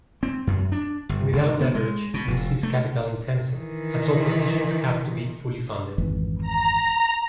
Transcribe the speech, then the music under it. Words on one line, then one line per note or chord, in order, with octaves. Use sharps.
Without leverage this is capital intensive as all positions have to be fully funded.
C4
F#2
D4
G1
G#1
B3
G#3
B2
F1
A3
D#3 E3
G#1 F2 E3
A#5